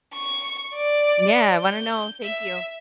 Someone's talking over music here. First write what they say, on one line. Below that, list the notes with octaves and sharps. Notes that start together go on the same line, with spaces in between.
Yeah, I wanna know. Thank you.
C#6
D5
G6
E5